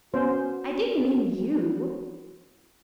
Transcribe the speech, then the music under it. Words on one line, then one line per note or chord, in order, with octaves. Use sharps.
'I didn't mean you!
B3 C#4 F#4 C5